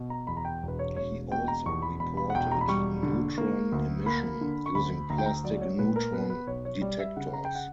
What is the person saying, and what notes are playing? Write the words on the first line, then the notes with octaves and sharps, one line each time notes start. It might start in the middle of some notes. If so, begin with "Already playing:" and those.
He also reported neutron emission, using plastic neutron detectors.
Already playing: B2
A#5
E2 B5
A#5
G5
E1
B4
C#5
E1 C#5
B2 G5
A#5
E2 C#6
B5
E1 B5
B5
F#5
E1 G5
A#5
B5
G3 C#6
D3
A#3
D2
A#3 B5
D3
C#6
D2 B5
D2 A#5
G5
A#5
F#3 D5
C#5
A#2 B4
A#4
B3 B4
B4
B1 C#5
C#5
G3 D5
E5
C#3 F#5
A#5
G5
F#5